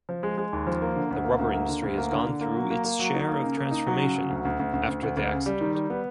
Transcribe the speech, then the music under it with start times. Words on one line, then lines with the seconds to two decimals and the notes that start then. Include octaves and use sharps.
The rubber industry has gone through its share of transformation after the accident.
0.09 F3
0.23 G#3
0.38 G#3
0.53 D#2
0.67 F3
0.82 A#3
0.96 D3
1.11 D2
1.24 A#3
1.39 D2
1.54 A#3
1.69 D3
1.83 D2
1.98 A#3
2.12 D3
2.27 D3
2.41 A#3
2.55 F#3
2.70 A#3
2.85 A#3
2.99 F#3
3.14 D#4
3.28 A#3
3.43 C#3
3.58 A#3
3.71 D#4
3.87 F#3
4.01 C#3
4.15 F#3
4.30 D2
4.45 D2
4.59 D2
4.73 D2
4.88 D2
5.03 D2
5.17 D2
5.32 C#3
5.46 G3
5.61 D#3
5.75 G3
5.90 B3